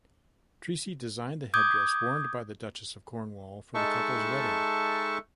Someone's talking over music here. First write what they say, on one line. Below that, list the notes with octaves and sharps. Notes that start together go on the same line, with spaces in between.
Treacy designed the headdress worn by the Duchess of Cornwall for the couple's wedding.
D6 D#6 G6 G#6
G#3 D#4 A4 E5 A5 C#6